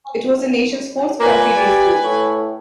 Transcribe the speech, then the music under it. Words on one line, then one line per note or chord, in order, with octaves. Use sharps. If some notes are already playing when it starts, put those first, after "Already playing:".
It was the nation's fourth country day school.
A#2 A#3 B4 G#5
G4 D5
A2 C#5